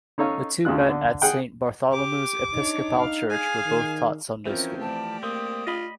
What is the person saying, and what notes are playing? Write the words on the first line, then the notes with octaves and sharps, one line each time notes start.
The two met at Saint Bartholomew's Episcopal Church where both taught Sunday School.
C#4 D#4 A4 C#5 F5
D2 C#3 F4 F#6
D3
G#4 F#5 G5
G4 D6
D4 D#4 C#5
F5
G#4 F5 G#5
D#3
E3 F3 C4 C#4 F4 A#4
A3 G4 D5 A5
A#3 C4 D#6
F4 D#5 B5